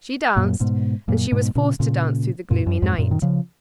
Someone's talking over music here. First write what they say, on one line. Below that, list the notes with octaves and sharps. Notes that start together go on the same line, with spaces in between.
She danced, and she was forced to dance through the gloomy night.
F#2 A#2
G#2 B2
F#2 A#2
G#2 B2
A#2 C#3
A#2 C#3
F#2 A#2
F#2
F2 G#2
F#2 A#2
D#3
C#3 F3